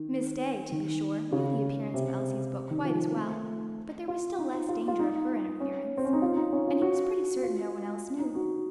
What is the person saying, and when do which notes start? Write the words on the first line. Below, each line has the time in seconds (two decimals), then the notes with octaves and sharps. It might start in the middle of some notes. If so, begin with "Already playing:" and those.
Miss Day, to be sure, knew the appearance of Elsie's book quite as well, but there was still less danger of her interference, and he was pretty certain no one else knew.
Already playing: D#3
0.72 D#3
1.32 C#3
1.94 C3
2.71 D#3
2.85 F3
3.16 A3
4.08 F4
4.39 D#4
4.54 F4
4.69 F4
4.88 F4
4.99 D#4
5.60 C#4
5.97 C4
6.05 C#4
6.13 D#4
6.22 F4
6.36 D#4
6.53 C#4
6.68 F4
6.82 F#4
7.43 F4
8.19 D#4
8.35 F#4